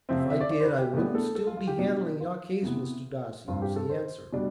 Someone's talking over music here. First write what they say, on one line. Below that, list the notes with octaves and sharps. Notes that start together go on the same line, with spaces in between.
"If I did I wouldn't still be handling your case, Mr. Darcy," was the answer.
C3 F3 C4 E5
E5
E5
D5
D5
C5
B4
G4
A2 E3 B3 D4 G4
A4
A4
F4
F4
G4
B2 B3 D4
F4
C3 E3 B3
G2 F3 C4 F4
G4
A4
C5
B2 G3 D4